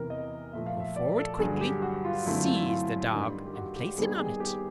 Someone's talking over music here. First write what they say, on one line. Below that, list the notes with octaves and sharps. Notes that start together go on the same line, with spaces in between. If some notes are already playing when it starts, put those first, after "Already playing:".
Go forward quickly, seize the dog and place him on it.
Already playing: E2 C3 E3 A#4
D#5
A#2 F3 A3 E5
F5
E5
D5
A4
G2 D3 F#3 G#4
G4
F#4
F4
F#2 D3 F#3 A3 C4 E4
F4
E4
F4
G2 D#3 G3
G4
F#4
G4
D#2 D#3 G3 B3 G#4
G#4
G4